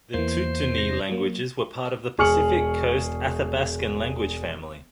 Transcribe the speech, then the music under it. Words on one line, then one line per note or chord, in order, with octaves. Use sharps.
The Tututni languages were a part of the Pacific Coast Athabaskan language family.
E2 E3 A#3 C5
C3 A#6
F#3 A#3
E1 G#4 C#6 F6 C#7 F#7